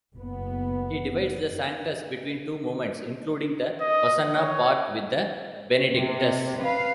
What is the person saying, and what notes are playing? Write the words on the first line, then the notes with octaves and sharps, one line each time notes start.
He divides the Sanctus between two movements, including the Hosanna part with the Benedictus.
F#1 B3
D#5
C#5
C3
B4 F5